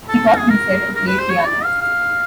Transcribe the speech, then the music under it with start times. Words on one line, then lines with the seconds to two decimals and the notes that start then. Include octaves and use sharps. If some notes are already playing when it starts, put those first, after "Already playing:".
He taught himself to play piano.
0.09 A4
0.27 A#4
0.38 G#4
0.49 A#4
0.96 A#4
1.07 B4
1.18 C5
1.30 C#5
1.46 D5
1.64 F5
1.81 F5